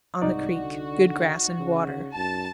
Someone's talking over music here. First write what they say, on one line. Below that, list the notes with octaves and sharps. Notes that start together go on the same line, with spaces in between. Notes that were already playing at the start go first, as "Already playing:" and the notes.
On the Creek.--Good grass and water.
C2 G#2 D#4 F#4 D5
D3
C#3
F#2 A5